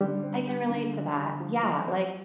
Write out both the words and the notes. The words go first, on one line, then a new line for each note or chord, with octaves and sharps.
I can relate to that. Yeah, like,
D3 G3
C4
G4
D3
D3
G4
F3
F3
C4